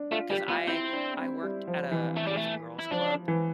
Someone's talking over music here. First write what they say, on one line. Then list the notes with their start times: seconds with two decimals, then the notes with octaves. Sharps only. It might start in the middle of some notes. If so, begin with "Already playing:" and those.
'cause I I worked at a a boys and girls club
Already playing: D4
0.12 A3 F4
0.30 G3 G4
0.49 B3 F4
0.68 C4 E4
0.93 D4
1.17 C4
1.43 G3
1.68 F3
1.91 E3
2.17 A3
2.27 G3
2.37 A3
2.79 E4
2.91 F3 D4
3.28 E3